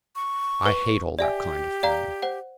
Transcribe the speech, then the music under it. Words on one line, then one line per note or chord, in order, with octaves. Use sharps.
I hate all that kind of thing.
C#6
B4
G4 D5 E5 G#5
D5 F5 A#5
C5 F#5